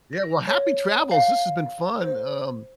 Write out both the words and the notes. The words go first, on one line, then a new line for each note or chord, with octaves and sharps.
Yeah, well, happy travels, this has been fun, um,
A#6
C#5
F5
C5